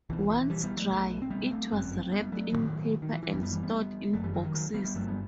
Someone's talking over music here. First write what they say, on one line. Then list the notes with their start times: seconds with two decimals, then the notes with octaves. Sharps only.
Once dry, it was wrapped in paper and stored in boxes.
0.10 B1 B2 E3
0.30 E3
0.50 E3 G3
0.63 G3 B3
0.77 F#3 A3
0.90 B1 B2
1.22 C4
1.30 G3 B3
1.51 A3 C4
1.71 G1 F#2
2.11 G3 B3
2.32 F#3 A3
2.52 A1 D#3 F#3
2.56 A2
3.02 D#3
3.13 E3
3.23 E3
3.33 F#1 F#2 G3 B3
3.43 G3 B3
3.53 E3 G3
3.63 G3 B3
4.13 G1 F#2 F#3 A3
4.23 E3 G3
4.34 D#3 F#3
4.44 D#3
4.54 D#3 F#3
4.74 G3 B3
4.85 G3 B3
4.94 G1 G2 F#3 A3
5.08 G3 B3